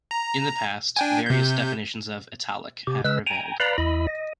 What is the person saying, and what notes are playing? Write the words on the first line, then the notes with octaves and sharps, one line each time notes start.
In the past, various definitions of "Italic" have prevailed.
A#5
D4 G5 G#5
C3 G6
C3 G4
C#3 G#3 B4 E6
G5 G#5 A#5
B4 D5 F5 A#5 B5
E2 E4 D#5 B5
D#5